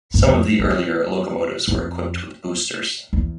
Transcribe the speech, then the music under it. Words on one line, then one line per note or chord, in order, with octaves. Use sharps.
Some of the earlier locomotives were equipped with boosters.
F#2
F2
E2
F2
E2